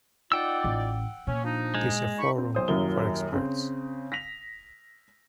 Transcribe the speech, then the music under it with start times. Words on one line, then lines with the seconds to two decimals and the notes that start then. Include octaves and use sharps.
This a forum for experts.
0.32 D#4 F4 D5 F#5 G5 E6
0.64 A1
1.27 A#2 C#4
1.44 F3 D4 D#4
1.75 G#3
2.18 D#4 B5 C#6
2.38 C4
2.55 B1 C5 D#6
2.68 D#1 F#2 F#3 A#3 E4 G7
3.32 C#3 C4
4.12 A#6 B6 F7